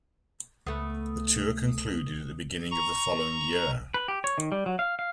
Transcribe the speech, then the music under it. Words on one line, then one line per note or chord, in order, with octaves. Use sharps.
The tour concluded at the beginning of the following year.
C#2 A3 B3 D#6
A#5 C#6
B4
G4
C#5
D#3
G3
F#3
F5
F5